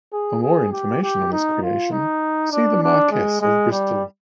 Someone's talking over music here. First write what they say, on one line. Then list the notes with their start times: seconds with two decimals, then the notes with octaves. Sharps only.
For more information on this creation, see the Marquess of Bristol.
0.13 G#4
0.43 G#4
0.72 G4
1.03 G4
1.32 D#4
1.63 F4
1.92 D#4
2.52 D4
2.82 D4
3.12 G#3
3.42 G#3
3.72 G3